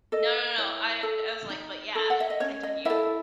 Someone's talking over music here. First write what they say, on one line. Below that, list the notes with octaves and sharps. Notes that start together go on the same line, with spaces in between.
No no no, I I was like but yeah, continue.
A4 D#5
E4 C#5
A4
D#4
A4
F#5
E5
D#5
C#4 C#5
D#5
E4 A4 E5